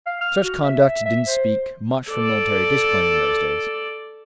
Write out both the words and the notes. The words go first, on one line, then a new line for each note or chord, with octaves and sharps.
Such conduct didn't speak much for military discipline in those days.
F5
F6
F#4
E5
E5
C5
A4 D5